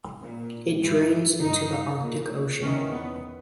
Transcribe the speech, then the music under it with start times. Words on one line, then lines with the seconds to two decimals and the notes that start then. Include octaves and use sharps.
It drains into the Arctic Ocean.
0.22 A#2
0.81 G2 E3
1.41 G2 D#3 D#4
2.01 A#2
2.60 E2 D#3 C#4
2.90 B3